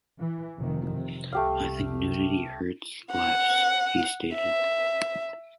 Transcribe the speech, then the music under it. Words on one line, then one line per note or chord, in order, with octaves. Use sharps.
"I think nudity hurts laughs", he stated.
E3
F1 C3 D#3
C3
C2 A3 G4 F5
F#5
E5